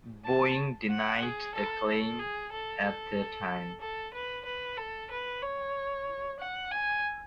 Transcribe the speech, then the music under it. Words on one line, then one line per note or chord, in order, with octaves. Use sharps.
Boeing denied the claim at the time.
A5
F#5
G#4
A4
A4
G#4
A4
A4
A4
B4
B4
A4
B4
C#5
F#5
G#5